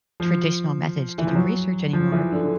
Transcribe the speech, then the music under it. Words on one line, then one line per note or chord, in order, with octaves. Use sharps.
traditional methods to do research anymore,
F3
E3
F3
F#3
F3
E3
D3
D3